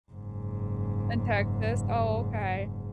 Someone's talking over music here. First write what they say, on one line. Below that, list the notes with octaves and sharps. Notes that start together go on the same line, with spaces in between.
in Texas? Oh, okay.
F#1 G#2